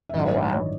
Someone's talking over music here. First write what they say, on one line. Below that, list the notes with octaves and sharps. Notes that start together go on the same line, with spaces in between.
Oh, wow.
E5
A1 G2 D#3 F#3 D#5
D5
C#5